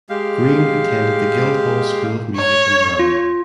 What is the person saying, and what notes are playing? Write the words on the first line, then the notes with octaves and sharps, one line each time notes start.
Greene attended the Guildhall School of Music and Drama.
G#3 G4 F5
C#5
F4